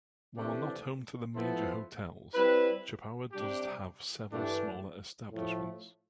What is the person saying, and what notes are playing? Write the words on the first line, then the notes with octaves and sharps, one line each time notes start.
While not home to the major hotels, Chippawa does have several smaller establishments.
C3 E3 A3 D4 G4
F3 B3 E4 A4 C5
G3 C4 E4 B4
C3 G3 D4 G4
G2 E3 A3 D4 G4
A2 F3 A3